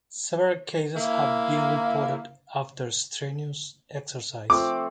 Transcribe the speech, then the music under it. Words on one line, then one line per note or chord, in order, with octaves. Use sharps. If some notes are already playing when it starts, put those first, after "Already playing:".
Several cases have been reported after strenuous exercise.
A#3 E4
F3 A3 C4 D6